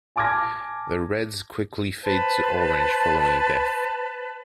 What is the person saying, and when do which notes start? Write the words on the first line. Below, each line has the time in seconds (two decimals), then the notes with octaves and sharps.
The reds quickly fade to orange following death.
0.16 G#5 A5 D6 F6 G#6 A#6
2.03 B4 C5 A5